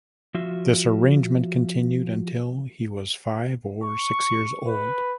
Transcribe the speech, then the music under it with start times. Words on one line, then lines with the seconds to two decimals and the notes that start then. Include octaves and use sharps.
This arrangement continued until he was five or six years old.
0.34 F3 F4 F#4 E5
3.83 C#6
4.67 B4